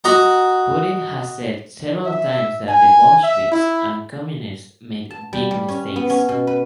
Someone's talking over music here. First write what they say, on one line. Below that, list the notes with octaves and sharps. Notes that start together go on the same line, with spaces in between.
Putin has said several times that the Bolsheviks and Communists made big mistakes.
F#4 D#5 A#5
E5
G#5
E5
E4
A5
G3
G3
C#4
B3
C#4
B2
B4